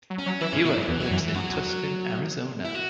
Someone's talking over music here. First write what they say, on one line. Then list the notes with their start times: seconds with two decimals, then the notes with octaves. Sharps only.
Hughart lives in Tucson, Arizona.
0.10 F#3
0.18 C#4
0.26 F#3
0.41 E3 E4
0.53 G#2 C#4
0.65 B2 E4
0.76 G#2 F#3
0.87 E2 E3
1.00 F#3
1.11 F#2 E3
1.22 E3
1.35 F#2 F#3
1.51 E2
2.65 E4
2.75 F#4